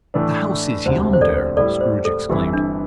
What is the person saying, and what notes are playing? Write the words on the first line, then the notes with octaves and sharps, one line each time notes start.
"The house is yonder," Scrooge exclaimed.
A2 E3 A3 D4
E1 D2 C3 C5
C5
A4 D5
A2 G3 E4 A4 D5
C5
A4
G1 G2 E3 C4 E4 G4
D4